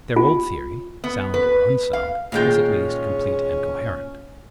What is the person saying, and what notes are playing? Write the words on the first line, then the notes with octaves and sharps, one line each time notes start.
Their old theory, sound or unsound, was at least complete and coherent.
F4
B3
B4
F5
A#2 D#3 G#3 C#4 F4 G5